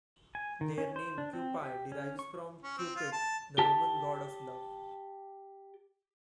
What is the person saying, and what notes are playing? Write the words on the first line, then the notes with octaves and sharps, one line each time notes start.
Their name, "Kewpie", derives from Cupid, the Roman god of love.
G#5
D#3
C#4
C5
D4
C4
G4
C#4
C#6
C#4
C4
F4
A5
G4 A5